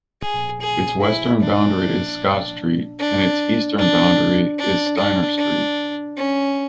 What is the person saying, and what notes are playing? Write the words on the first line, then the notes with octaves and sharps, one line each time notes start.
Its western boundary is Scott Street, and its eastern boundary is Steiner Street.
G#4
G#4
E4
D4
D4
D4
D4
D4
D4
C#4